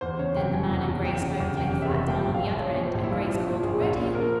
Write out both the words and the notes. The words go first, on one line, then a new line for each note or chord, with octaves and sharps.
Then the man and Grace both lay flat down on the other end and Grace called "ready."
E2 C5
C#3 C#5
F1 G5
F3 G#5
E2
E2
E2 G5
C#3
E2
F1 G5
C#3
E5
F1
F3 G5
A#1
F5
A#1
F3 C#5
A#2
C5
A#1
E4
F3 F4
F3
A#2
A#1 G#4
A#1
A#2
F3 A#4